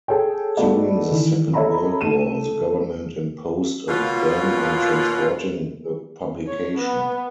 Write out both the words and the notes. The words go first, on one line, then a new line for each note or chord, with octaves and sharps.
During the Second World War the government imposed a ban on transporting the publication.
G#4 A4 C#5 G5
G#3 A3 B3 F#4 D5 D#5
D#3 E3
A4 C#5 D#5 E5 A#5 B5
A3 D#7 E7
B2 A#3 C#4 F4
C#5
B3